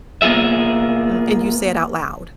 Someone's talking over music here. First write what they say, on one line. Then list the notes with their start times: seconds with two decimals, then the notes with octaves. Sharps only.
M and you say it out loud.
0.22 A#3 B3 F4 G#4 E5